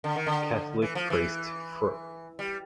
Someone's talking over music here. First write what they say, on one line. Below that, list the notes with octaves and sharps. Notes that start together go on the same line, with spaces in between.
Catholic priest Fr.
D3
D#3
D3
E3
F3
E3
G3